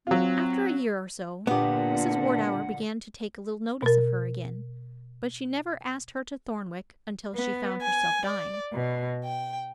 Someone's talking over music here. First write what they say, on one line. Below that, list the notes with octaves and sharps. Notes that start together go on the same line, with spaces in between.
After a year or so, Mrs. Wardour began to take a little notice of her again; but she never asked her to Thornwick until she found herself dying.
F#3 C4 F4
A#2 D3 B3 D4 G4 F#5
B2 A#4
B3
G#5
D5
B2
G5